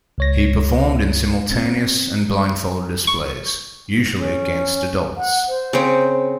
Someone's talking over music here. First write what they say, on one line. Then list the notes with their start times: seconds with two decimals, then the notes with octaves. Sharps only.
He performed in simultaneous and blindfold displays, usually against adults.
0.18 C#2 C#5 A#6
1.52 C4
3.07 C#6
4.16 C#4
5.17 F#5
5.48 C5
5.73 C#3 C4